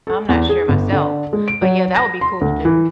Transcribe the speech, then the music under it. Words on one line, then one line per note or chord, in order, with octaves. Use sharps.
I'm not sure myself. But yeah, that would be cool to do.
A4
E2
G#4
G1
D3
G#3
D7
F#3
A#6
C6
D2
E3